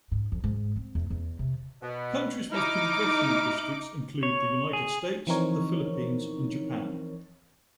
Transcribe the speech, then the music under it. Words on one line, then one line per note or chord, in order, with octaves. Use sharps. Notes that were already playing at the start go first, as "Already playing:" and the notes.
Countries with congressional districts include the United States, the Philippines, and Japan.
G#2
F2
G#2
C4
E2
E2
C3
B2 B3
D#4 E4 D6 F6
C#5
G#4
E3 F3 C4 D#4 A#4 C#5